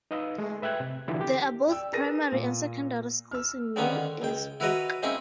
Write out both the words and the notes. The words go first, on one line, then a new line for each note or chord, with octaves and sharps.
There are both primary and secondary schools in New Earswick.
D#4 B4 D#5 F5 E6
G#3 A3
B4 E5 G5 F#6 G#6
C3
D3 E3 F#3 E4 F4 G4
G4
D5 G5 E6
G#4 A#4 B4 A#6 D#7
A#2
E6 F6
D3 D#3 G#3 A#3 B3 C#4
C#2 G5
E4 F#4 A#4 B4 C#5 D#5
G#3 A#3 C4 C#4 D#4 E4